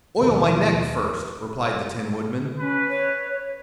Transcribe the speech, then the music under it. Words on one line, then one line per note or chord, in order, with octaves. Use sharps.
"Oil my neck, first," replied the Tin Woodman.
D#2 B2 D#3 F3
C#4 B4
C#5